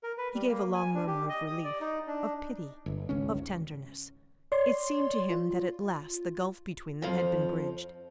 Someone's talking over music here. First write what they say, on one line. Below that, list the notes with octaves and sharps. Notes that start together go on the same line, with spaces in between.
He gave a long murmur of relief, of pity, of tenderness; it seemed to him that at last the gulf between them had been bridged.
A#4
B4
G3
A#3
G#5
D4
G4
D#5
D#6
D5
D#4
D4
G1
G#1 C#2 C#4
C#5 D5 C6
F4
F2 F3